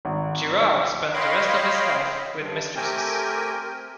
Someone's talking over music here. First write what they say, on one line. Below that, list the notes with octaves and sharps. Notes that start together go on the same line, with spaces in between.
Girard spent the rest of his life with mistresses.
G#1
C#5 D#5 F5 G5 B5 C6
C4
G2
A3 C4 G4 A#4 G5 G#5